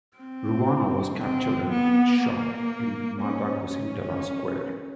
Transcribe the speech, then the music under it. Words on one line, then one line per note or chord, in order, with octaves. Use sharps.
Ruano was captured and shot in Mataquescuintla Square.
C4
C4
B3
A#3
C#4
C#4